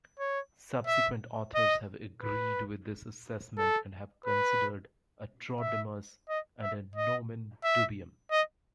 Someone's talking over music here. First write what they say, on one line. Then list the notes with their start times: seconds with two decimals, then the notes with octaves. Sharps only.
Subsequent authors have agreed with this assessment and have considered "Antrodemus" a "nomen dubium".
0.19 C#5
0.87 E5
1.55 D#5
2.22 B4
3.57 A4
4.26 B4
5.60 E5
6.29 D#5
6.62 E5
6.96 D#5
7.64 E5
8.31 D#5